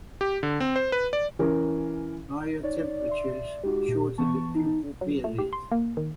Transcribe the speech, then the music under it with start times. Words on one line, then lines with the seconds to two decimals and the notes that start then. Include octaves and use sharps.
Higher temperatures shorten the pupal period.
0.21 G4
0.43 D3
0.60 C4
0.76 C5
0.92 B4
1.13 D5
1.39 E3 C#4 A#4
2.63 D#4 C#5 D5
3.09 E5 C6
3.64 G#3 D#4 F#4 G4
3.88 A#2
4.18 E3 B3 A5 C#6
4.55 D#4
5.01 F#3
5.24 A3
5.38 G4
5.53 C6
5.72 A#3
5.97 D#3